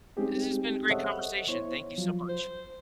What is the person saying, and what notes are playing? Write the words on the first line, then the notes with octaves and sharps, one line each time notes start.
This has been a great conversation. Thank you so much.
G#3 C4 C#4 D#4 G4 G#4
A4 C5 C#5 D#5 E5 F#5
B3 E4 C5 C#5
F3 F#3 F4
C5